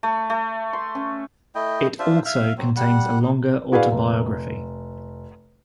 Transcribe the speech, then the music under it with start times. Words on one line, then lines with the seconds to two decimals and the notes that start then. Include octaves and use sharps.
It also contains a longer autobiography.
0.03 A3
0.30 A3
0.73 C6
0.95 C#4
1.55 A3 E4 D#5 G5
1.99 D4 F4 C5 E5
2.25 E5 F5
2.58 F#3 C4
2.76 G3 F#5
3.22 D#4
3.72 E4 F#4 G#4 B4 D5 F5
3.91 F1